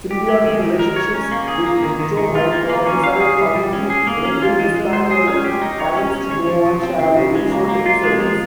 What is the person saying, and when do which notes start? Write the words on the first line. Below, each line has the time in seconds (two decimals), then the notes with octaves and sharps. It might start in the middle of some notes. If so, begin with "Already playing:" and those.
Symbiotic relationships with ectomycorrhizal fungi enable Hispaniolan pines to grow on shallow, infertile soils.
0.11 G4
0.29 G#3
0.45 D#3
0.63 D#3
0.79 A#4
0.96 C#5
1.14 C#4
1.31 A#3
1.48 G#4
1.66 A#3
1.83 D#3
2.00 D#3
2.17 D#3
2.35 F4
2.52 A#3
2.70 A#3
2.86 C#4
3.04 F5
3.20 G#4
3.39 G3
3.56 G3
3.73 C#4
3.90 G#4
4.07 A#3
4.25 C#4
4.42 F4
4.59 G#3
4.76 G#3
4.93 C5
5.11 G#4
5.28 C#4
5.44 G4
5.62 D#4
5.80 C#5
5.96 C#4
6.13 C#4
6.31 C#5
6.48 F3
6.66 F3
6.83 C4
6.99 C#3
7.17 C#3
7.35 G#3
7.52 A#3
7.69 A#3
7.86 F4
8.03 G#3
8.20 F3